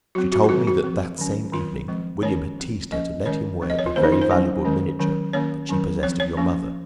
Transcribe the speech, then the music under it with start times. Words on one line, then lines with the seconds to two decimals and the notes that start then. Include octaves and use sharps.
She told me, that that same evening William had teased her to let him wear a very valuable miniature that she possessed of your mother.
0.15 F#3 C4 F#4
0.32 F#4
0.44 F4
0.49 D#3 F#3 C4 F#4
0.67 F#4
0.84 F3 C4
1.19 D#3 F#3 C#4
1.53 D#3 F#3 C4 F4
1.88 F3 G#3 C4
2.23 D#3 G#3 C#4 C#5
2.56 F3 C4
2.92 F3 A#3 C#4 D#5
3.26 D#3 G#3 C#4 C#5
3.61 F3 C4
3.70 D#5
3.79 C#5
3.86 F4
3.96 D#3 A#3 C#4 C5
4.04 D#4
4.12 F4
4.21 C5
4.31 F#3 C#4
4.65 D#3 G#3 C#4
4.99 D#3 F#3 C#4
5.33 D#3 A#3 C#4 C#5
5.69 D#3 F#3 C#4
6.03 F3 C4 C#5
6.20 C#5
6.37 F3 A#3 C#4